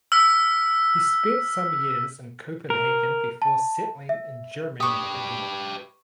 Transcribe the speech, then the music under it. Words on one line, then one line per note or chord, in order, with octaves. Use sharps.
He spent some years in Copenhagen before settling in Germany again.
E6 F6 B6
A#4
A5
E5
G4 B4 C#6 D#6